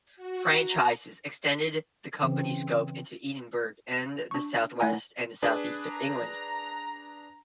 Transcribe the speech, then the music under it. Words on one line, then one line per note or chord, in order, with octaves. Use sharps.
Franchises extended the company scope into Edinburgh and the southwest and southeast of England.
F#4
A#5
C#3 E3 C4
D4 C#6
A3 E4 F#5 G#5 A#5
D4 G#4 B4
A#5